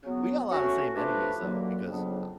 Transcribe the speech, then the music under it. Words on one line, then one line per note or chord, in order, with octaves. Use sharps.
we got a lot of the same enemies, though, because I
C#3 F#3 B3
A3 C#4 F#4
F3 A3 D4 G4 B4
F#2 D3 F#3 A#3
F2 C#3 F#3 B3 D4